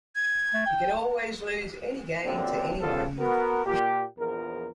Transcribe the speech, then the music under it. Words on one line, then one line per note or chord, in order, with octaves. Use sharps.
You can always lose any game, to anyone.
G#6
A3
G5
F#2 A#2 D3 G3 C4 D4
C#3 F3 G3 B3 F4 A4
B3 F#4 A#4
A#2 G4
A#1 E2 F3 A#4